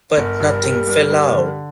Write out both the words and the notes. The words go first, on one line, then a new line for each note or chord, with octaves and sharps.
But nothing fell out.
G1 A#4
G2
G3
G2
G3
D3